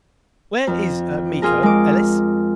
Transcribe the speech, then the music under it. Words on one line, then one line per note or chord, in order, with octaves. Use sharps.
"Where is Miko, Ellis?"
F2
F4 G#4 A#4
G#3 D6